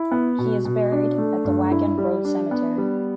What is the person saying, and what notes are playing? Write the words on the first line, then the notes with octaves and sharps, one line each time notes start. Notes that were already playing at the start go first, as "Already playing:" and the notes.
He is buried at the Waggon Road Cemetery.
Already playing: E4
B3
B2
B2
D4
A3
G2
E4
G3
D4
B3
G3